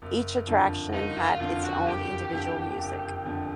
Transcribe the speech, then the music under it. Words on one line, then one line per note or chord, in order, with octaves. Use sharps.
Each attraction had its own individual music.
F#1
F2 D3
F#1 D#4
F4
F2 D3 F4
F#4
F#1 G4
F2 D3
F#1
F2 D3